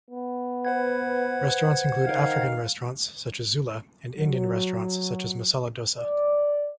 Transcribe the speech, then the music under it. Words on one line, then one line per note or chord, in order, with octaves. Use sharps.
Restaurants include African restaurants such as Zula, and Indian restaurants such as Masala Dosa.
B3
B4 C5 F#5 G#6
D#3 F5
F#3
D5